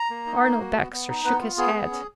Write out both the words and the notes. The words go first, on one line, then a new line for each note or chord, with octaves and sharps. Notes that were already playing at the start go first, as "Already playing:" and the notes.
Arnold Baxter shook his head.
Already playing: A#5
A#3
D#4
A#3
F#4
B3
B3
D#4
B3 B4
F4
B3 G#4
B3
C#4